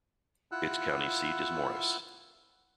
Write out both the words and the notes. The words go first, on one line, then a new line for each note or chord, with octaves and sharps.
Its county seat is Morris.
E4 F4 F#5 E6 F#6